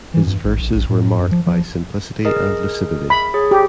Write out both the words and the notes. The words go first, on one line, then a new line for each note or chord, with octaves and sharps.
His verses were marked by simplicity and lucidity.
E3
G2
A1
A#1
A#1
A2
A2
F#2
F3
F3
G#4 A#4 D#5
B5
G#4 C#5
G4